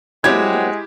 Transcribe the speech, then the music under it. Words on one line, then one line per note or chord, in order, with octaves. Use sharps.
There really is,
F#3 G#3 C4 E4 G4 G#6